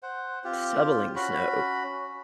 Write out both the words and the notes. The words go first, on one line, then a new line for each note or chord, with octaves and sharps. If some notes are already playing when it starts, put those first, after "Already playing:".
shoveling snow.
C5 F#5
C4 F4 G4
C#4 F#4 B5